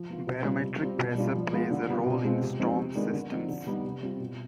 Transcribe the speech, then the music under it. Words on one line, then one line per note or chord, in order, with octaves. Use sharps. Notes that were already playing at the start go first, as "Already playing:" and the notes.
Barometric pressure plays a role in storm systems.
Already playing: F3
B3 F4
B2
G3 C4 F4
C3
G3 C4 F4
B2
G3 D4 F4
F3
G#3 B3 F4
D3
G3 B3 F4
B2
G#3 C4 F4
C3
F3 G#3 C4 D#4
C3
D#3 G#3 B3 D4
D3
F3 C4 D#4
D3
G3 B3 D#4
C3
G3 C4 F4
B2